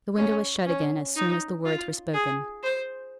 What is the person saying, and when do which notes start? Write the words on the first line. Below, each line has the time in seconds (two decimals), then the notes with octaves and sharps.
The window was shut again as soon as the words were spoken.
0.17 C#4
0.66 C#4
1.16 D#4
1.65 F4
2.14 G#4
2.63 C5